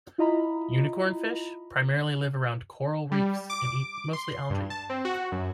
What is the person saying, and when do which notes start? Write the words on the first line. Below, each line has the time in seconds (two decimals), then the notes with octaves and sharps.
Unicornfish primarily live around coral reefs and eat mostly algae.
0.18 E4 F4 D#5 A#5 B5
3.12 G3
3.50 D6
4.13 C6
4.50 G2
4.70 A5
4.90 C4
5.05 F#4
5.32 F#2